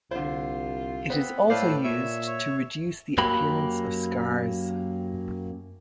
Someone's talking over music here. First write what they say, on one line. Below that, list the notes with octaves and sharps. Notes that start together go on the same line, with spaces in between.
It is also used to reduce the appearance of scars.
C2 D3 F4 C5
B3 C4 C5 B5
A2 A4 B4 C5 D5 F5
A#2 C#5 E5
C#5
F#2 F#3 A#3 G4 B5